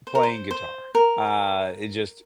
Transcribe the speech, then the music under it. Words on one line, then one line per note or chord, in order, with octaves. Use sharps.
playing guitar. Uh, it just
C5
A#4
C5
C5
A#4